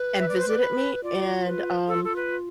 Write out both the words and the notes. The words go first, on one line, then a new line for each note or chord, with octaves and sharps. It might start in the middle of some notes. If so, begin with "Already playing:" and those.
and visited me, and, um,
Already playing: B4
E5
D5
C5
D5
B5
F4 D5
B4
A4
A4
B4